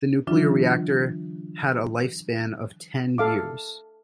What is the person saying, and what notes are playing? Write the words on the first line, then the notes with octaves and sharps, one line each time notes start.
The nuclear reactor had a lifespan of ten years.
D3 E3 F#3 D4 F4
A4 F5 D6